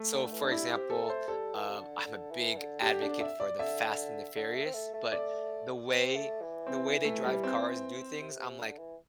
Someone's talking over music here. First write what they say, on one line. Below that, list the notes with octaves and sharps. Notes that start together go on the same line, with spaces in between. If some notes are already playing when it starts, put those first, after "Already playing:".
So, for example, um, I'm a big advocate for The Fast and the Furious, but the way the way they drive cars and do things, I'm like,
Already playing: A3
D3
E3
D4
G3 E4
G4
C4
A4
A3
C5
G3 A4
E3
C3
D3
D3
E3
D3
D3 G4
D4
D3
E5
D5
D3 E5
D3
A3
C4
A3
A3
D5
C4
A3
E3
C4
A3
G3
C4
C3
C3
D3
E3